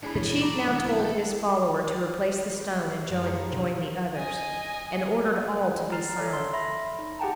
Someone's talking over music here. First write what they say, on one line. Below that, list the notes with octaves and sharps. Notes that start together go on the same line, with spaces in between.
The chief now told his follower to replace the stone and join the others, and ordered all to be silent.
A2 D4 E4 G#4 B5
A#2 E3 D4 C#5 B5
F#2 A#5 D6
D#3 G#3 E4 D5 F#5
B1 B2 E3 C4 A#4
A4 B4 G5
G4 B5
F#2 F3 F#3 G#3
E4 G4 A4 C5 C#5 A#5
D2 B2 G3
D#5 G#5
A#5 F6 A6 C7
A4 C#5 D5
C6
E5 B5 C6 A#6
D#4
G4 G#4 F#5 G5 A5 A#5